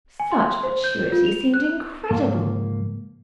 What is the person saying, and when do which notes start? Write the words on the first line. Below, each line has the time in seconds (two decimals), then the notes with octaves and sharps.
Such fatuity seemed incredible.
0.20 G#5
0.32 C6
0.63 C5
0.84 G6
1.12 F4
1.26 F7
1.54 F#6
2.11 C#2 G#2 F3 A#3